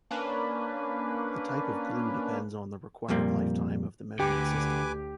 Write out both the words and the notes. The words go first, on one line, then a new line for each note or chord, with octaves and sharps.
The type of glue depends on the required lifetime of the measurement system.
A#3 C#4 D4 B4
F2 A#2 G3 A#3
D2 D3 G4 B4 G#5 D6